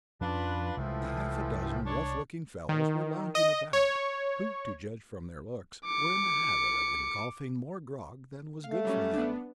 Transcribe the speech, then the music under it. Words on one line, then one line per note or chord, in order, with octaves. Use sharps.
A half a dozen rough-looking fellows were lounging about, who, to judge from their looks, were in the habit of ingulfing more grog than was good for them.
F2 F3 C#4 D4 F4 B4
C2 A2 E3 F3 G#3
D4 C#5
D#3
D#5
C#5
D6 C#7
A3 F5
F#3 G3 C#4
B3 D4